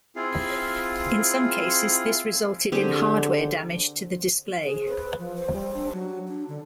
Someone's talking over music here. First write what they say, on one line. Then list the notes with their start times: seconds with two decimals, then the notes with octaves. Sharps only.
In some cases this resulted in hardware damage to the display.
0.16 C4 E4 F4 G#4 F5
2.72 D3 C4 G4 G#4
4.64 G#4
4.88 B4
5.19 F3
5.38 C5
5.52 G3
5.75 D4
5.93 F#3
6.28 D4
6.48 D3